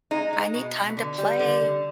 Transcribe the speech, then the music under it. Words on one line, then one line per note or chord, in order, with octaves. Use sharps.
I need time to play."
G#3 D#4
G#3
B2
B2
D3
G3
D3
D3